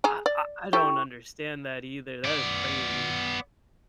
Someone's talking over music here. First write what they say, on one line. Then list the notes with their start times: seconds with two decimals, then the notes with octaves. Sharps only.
I I I don't understand that either, that is crazy.
0.04 G#4 G#5 A#5
0.26 D5
0.73 E4 G4 A4 C#6
2.25 B3 D5